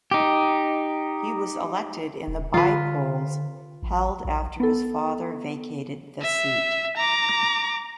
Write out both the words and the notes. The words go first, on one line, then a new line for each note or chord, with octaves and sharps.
He was elected in the by-polls held after his father vacated the seat.
D#4 G4
D#1
D3 F4 B4
A1
A#1
B3 A4
E5
A#5 D6